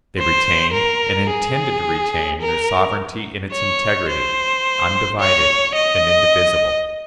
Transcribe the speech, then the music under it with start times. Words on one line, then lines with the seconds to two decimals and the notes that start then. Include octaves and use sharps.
They retained, and intended to retain, their sovereignty in its integrity--undivided and indivisible.
0.19 C5
0.74 A#4
1.29 G#4
2.41 A#4
3.53 C#5
4.09 C5
5.20 C#5
5.76 D#5